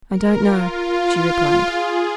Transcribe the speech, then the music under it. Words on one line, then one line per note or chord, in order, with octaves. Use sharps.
"I don't know," she replied.
A#4
F4
F4
G#4